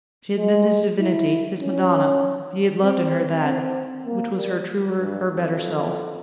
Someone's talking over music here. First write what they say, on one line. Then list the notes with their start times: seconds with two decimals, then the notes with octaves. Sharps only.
She had been his divinity, his madonna; he had loved in her that, which was her truer, her better self.
0.38 G#3
1.00 E4
1.61 C#4
2.83 C4
3.44 C4
4.06 A#3
4.36 G3
4.98 G2
5.29 F2